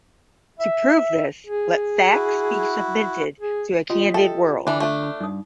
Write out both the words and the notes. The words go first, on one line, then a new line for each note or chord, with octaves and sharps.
To prove this, let Facts be submitted to a candid world.
E5
G#4
E4 F#4
G#4
F4 G4 D#5 C6
A4 E5 G5
D3 E3 D4
A3 D4
B5
G2 D#4 D#6